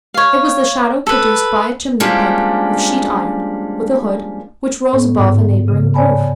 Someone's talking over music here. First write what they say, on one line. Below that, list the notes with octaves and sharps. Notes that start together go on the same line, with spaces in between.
It was the shadow produced by a chimney-pipe of sheet iron, with a hood, which rose above a neighboring roof.
C#5 F5
A4 B4
F3 G3 G#3 A#3 C#4 D4
A2 B3
G#2 D3
C#3
C#5 D5 G#5 A5 B5